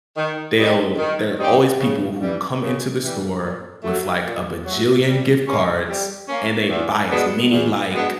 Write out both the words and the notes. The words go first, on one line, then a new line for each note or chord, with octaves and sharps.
they'll they're always people who come into the store with, like, a bajillion gift cards and they buy as many, like,
D#3
G3 C4 D#4 G4
D#3
G3 C4 D#4 G4
C#3
E3 G3
C#3
E3 G3
A#2
F#3 A3
A#2
F#3 A3
G3
A#3 C#4
G3
A#3 C#4
E2
B2 G#3 B3 D4
E2
B2 G#3 B3 D4